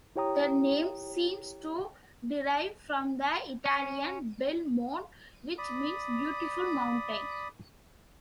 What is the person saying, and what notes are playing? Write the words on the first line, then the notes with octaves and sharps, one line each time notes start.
The name seems to derive from the Italian "bel monte"," which means "beautiful mountain.
E4 G4 C#5 G5 A#5 D#6
C#4
D5 B5 D#6